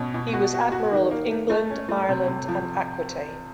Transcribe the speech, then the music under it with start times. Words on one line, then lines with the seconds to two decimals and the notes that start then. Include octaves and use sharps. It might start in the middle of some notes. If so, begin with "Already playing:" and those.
He was Admiral of England, Ireland, and Aquitaine.
Already playing: B2 C#4
0.14 B2
0.33 F#4
0.53 F#4
0.72 F#4
0.92 D#3
1.11 A#3
1.31 A#3
1.50 A3
1.70 C#4
1.89 A3
2.09 C3
2.28 C3
2.48 F3